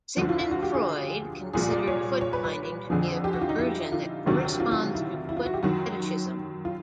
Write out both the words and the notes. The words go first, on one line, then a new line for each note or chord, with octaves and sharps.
Sigmund Freud considered footbinding to be a "perversion that corresponds to foot fetishism".
D2 D3 F3 F#4
F4
F4
F#4
G4
G#4
C2 A#2 F3 G#4
D5
C#5
C#5
B4
B4
F2 D3 F3 G#4
G4
F#4
F4
D#4
E4
F4
D2 C3 D#3 F#3
F4
F4
E4
E4
F4
F#4
G4
F#2 D#3 F#3 F#4
F4